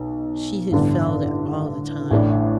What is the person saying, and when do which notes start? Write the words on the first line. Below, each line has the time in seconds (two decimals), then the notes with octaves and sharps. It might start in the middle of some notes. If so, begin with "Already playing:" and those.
She had felt it all the time.
Already playing: B1 B2
0.71 A1 G2 D3 B3 D4
2.11 A1 A2 A3 D4